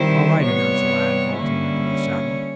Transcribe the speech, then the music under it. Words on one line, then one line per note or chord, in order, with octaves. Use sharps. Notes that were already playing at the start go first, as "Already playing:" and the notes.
"All right," announced the lad, vaulting into the saddle.
Already playing: D#3 G3 C4 E4 C5
C3 E3 G3 B3 C#5
D3 G3 A#3 C#4 E4
C#5